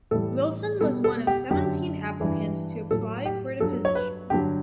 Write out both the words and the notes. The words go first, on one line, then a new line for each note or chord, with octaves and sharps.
Wilson was one of seventeen applicants to apply for the position.
A2 E3 G3 A4
B2 G3 A4
A4
G4
F#2 D3 F#3 G4
G2 E3 G3
A2 F#3 A4
G4
G2 F#3 A4
C#5
B4
G2 D3 F#3 G4